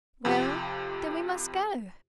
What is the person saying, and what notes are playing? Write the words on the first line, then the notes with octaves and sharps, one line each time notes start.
"Well, then we must go!"
F2 C3 F4 G4